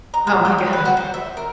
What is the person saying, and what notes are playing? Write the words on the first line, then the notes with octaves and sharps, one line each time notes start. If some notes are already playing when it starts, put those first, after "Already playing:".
Oh my gosh,
A#5
A#2
G4
G3
B4
F#4
C5
E5
A#4